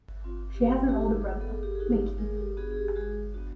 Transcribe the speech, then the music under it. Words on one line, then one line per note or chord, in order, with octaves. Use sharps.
She has an older brother, Micky.
C4 F4
G4
B3 F#4
G4
D#4 F#4
F#4 G#4
B3 A4
G#4
G4 A4
G#4
D#4 F#4 G4 A4
G#3 G#4 A#4
G4 A4
B3 D4 F#4 G#4
G#4
G4
G#3 F#4 G#4
B3 D4 F#4